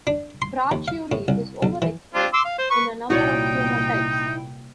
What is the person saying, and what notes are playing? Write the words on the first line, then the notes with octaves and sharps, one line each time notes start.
Brachyury is overexpressed in a number of tumor types.
D4
C6
D#2
F5
A2
C2
B1
E3
C4 D4 F4
C6 D6 E6
F5
C5
B4 C#6
C2 A#2 D#4 E4 F#4 C#5 D5 G5